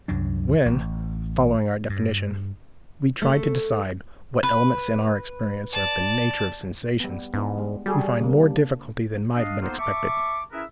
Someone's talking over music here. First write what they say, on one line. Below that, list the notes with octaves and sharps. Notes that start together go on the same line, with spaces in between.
When, following our definition, we try to decide what elements in our experience are of the nature of sensations, we find more difficulty than might have been expected.
C2 F#2 F#3 D4
A1
G2
A3
B4
D5 A5
G3 B3
G#2 B3 D4 E4
G3 G#3
G3 F#4 G#4 A4
C#3 A#3
D4
D4 D#5 F5
A#3 B3 D#4 F4 A4 C5
E5 A5 C#6 D6
C#4 E4 G#4 A#4 B4 E5